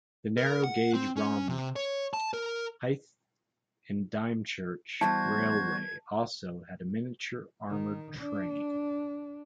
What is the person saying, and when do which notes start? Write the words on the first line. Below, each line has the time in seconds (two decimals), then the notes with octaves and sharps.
The narrow gauge Romney, Hythe and Dymchurch Railway also had a miniature armoured train.
0.37 A#4
0.64 F#5
0.94 C4
1.16 C#4
1.49 C3
1.76 C#5
2.14 A5
2.34 A#4
5.01 E2 G3 E4 F#4 C5 A5 G#6
7.70 D#3
8.18 D4